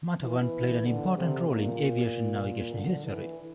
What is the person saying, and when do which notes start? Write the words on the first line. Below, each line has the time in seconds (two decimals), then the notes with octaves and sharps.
Matawan played an important role in aviation navigation history.
0.23 E3
0.86 D3
1.17 C3
1.48 A#2
2.43 A#2
2.73 D3
3.05 E3